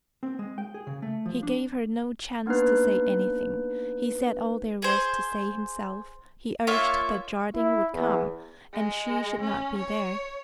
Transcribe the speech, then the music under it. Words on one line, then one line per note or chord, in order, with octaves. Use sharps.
He gave her no chance to say anything; he said all there was to say himself; he urged that Jardine would come, and she should not be there.
C4
G#3
G5
G#4
C#3
A3
F3
D4
A#3 B3 D4 D#4 B4
G#4 C5
A#3 F4 C#5 E5
E4
E2
G#3
C#4
C#5